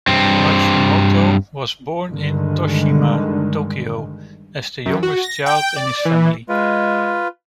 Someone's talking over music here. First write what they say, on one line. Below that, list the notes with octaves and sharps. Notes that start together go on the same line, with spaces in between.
Matsumoto was born in Toshima, Tokyo, as the youngest child in his family.
G2 C4
G2 D3 D#3 G#3
F#2
F#4
A#6
G5
D5
E3
G#3 F4 B4